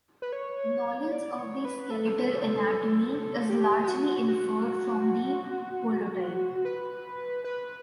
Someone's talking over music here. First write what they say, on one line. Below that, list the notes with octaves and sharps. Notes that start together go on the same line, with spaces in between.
Knowledge of the skeletal anatomy is largely inferred from the holotype.
B4
C#5
D5
C#5
B4
A4
G4
G4
F#4
F#4
B4
B4